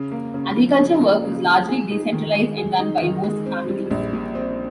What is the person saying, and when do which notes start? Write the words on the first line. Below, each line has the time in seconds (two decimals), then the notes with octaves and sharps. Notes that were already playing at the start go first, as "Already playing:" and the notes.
Agriculture work was largely decentralized and done by most families.
Already playing: C#3
0.12 A#3
0.34 C#3
0.57 F3
0.79 C#3
1.01 A#3
1.24 C#3
1.46 F3
1.68 G#4
1.91 D#4
2.12 D#3
2.35 G#3
2.57 G#4
2.79 D#4
3.02 D#3
3.24 G#3
3.46 C4
3.69 G3
3.91 A#1
4.13 A#2
4.35 C4